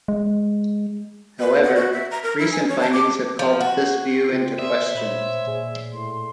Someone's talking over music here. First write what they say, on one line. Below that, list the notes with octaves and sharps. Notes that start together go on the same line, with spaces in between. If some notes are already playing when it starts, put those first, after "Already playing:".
However, recent findings have called this view into question.
G#3
B4
F#5
F#4
E5
A#5
A#4
E4
G#5
C#5
A5
D6
F3
F#4
C#3 F4 C5 G5
A#4 D5 E5 C6 D#6
A#2 C#5 B5
A#2 G#4 D5
A2 C6